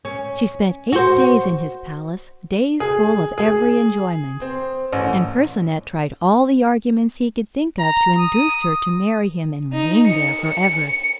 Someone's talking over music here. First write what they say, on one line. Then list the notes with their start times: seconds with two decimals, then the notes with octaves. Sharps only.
She spent eight days in his palace--days full of every enjoyment; and Percinet tried all the arguments he could think of to induce her to marry him, and remain there for ever.
0.05 C#4
0.92 F#4 C5
2.80 G#4
3.38 G#4
4.42 C4
4.93 A1
7.79 A#5
8.18 D#6
9.73 D#4
10.07 C#7